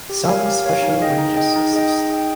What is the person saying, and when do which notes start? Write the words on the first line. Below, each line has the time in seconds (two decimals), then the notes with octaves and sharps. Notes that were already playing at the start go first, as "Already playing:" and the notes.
Some special ranges exist.
0.09 G4
0.28 A#4 C#5 F5 G#5
0.46 G4
0.64 A#4 C#5 F5 G#5
0.83 D#4
1.01 G#4 D#5 G5
1.18 D#4
1.37 G#4 D#5 G5
1.56 D#4
1.73 G#4 D#5 G5
1.92 D#4
2.10 G#4 D#5 G5